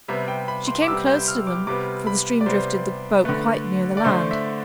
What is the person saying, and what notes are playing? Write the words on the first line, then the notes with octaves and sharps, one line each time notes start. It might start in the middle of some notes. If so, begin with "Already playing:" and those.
She came close to them, for the stream drifted the boat quite near the land.
C3 G3 B3 E5
G5
B5
C6
D6
C3 G3 B3 E6
G6
F6
D6
C3 G3 B3 D6
B5
D5
C3 G3 B3 C5
D3 A3 B4
D5
D3 A3 C5
E5